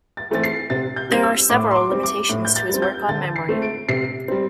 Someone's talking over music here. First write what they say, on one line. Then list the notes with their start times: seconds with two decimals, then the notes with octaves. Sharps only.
There are several limitations to his work on memory.
0.17 A6
0.31 E3 A3 C4 A6
0.43 C7
0.70 C3 A6
0.96 G6
1.10 G3 C4
1.23 E6
1.50 A2 D6
1.71 C6
1.76 D6
1.90 G3 C4
2.03 D6
2.29 A2
2.45 G6
2.56 A6
2.69 G3 C4
2.82 G6
3.08 D3 A6
3.36 C7
3.49 A3 C4
3.62 D7
3.88 C3 C7
4.28 G3 C4